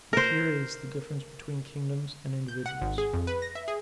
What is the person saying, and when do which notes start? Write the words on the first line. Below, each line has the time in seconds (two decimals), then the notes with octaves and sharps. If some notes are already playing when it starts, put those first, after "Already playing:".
But here is the difference between kingdoms and individuals.
0.13 A#4 C5
2.48 G6
2.66 F#5
2.82 G#1
2.98 G#4
3.13 F2
3.27 B4
3.42 A#6
3.55 E5
3.68 G#4